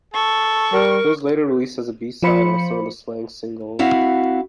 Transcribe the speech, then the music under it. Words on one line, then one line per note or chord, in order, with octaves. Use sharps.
It was later released as a B-side on some of the "Slang" singles.
A4 C#6
G3 A#4
F3 F4 C5 B5 C#7
C4 E4 F#4 F5 F#5